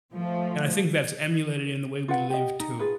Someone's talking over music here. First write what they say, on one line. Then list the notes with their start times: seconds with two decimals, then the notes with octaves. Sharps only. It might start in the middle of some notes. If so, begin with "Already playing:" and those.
And I think that's emulated in the way we live, too.
0.13 F3 A3
2.08 F4 B4 F#5
2.30 G4 D#5
2.60 D#4
2.79 F4 G#4 B4